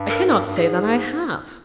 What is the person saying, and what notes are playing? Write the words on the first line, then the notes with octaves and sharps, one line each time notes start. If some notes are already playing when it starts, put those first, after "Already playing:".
I cannot say that I have.
Already playing: G2
A#4
G#2
G2
G2
G#2 G#4